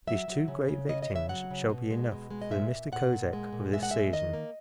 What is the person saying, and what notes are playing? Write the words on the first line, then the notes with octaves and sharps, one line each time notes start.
These two great victims shall be enough for the Mista Kosek of this season.
F#3 E5
F#3
C#3
C#3
C#3 D#5
D#5
C#3
E5
F#3 F#5
C#3
B2
G#3
B2
G#3
D#5
A#2 E5
A#2
A#2 F#5
A#2
G#3
A#2
G#3 E5
F#5
A#2 E5
D#3 D#5
A#3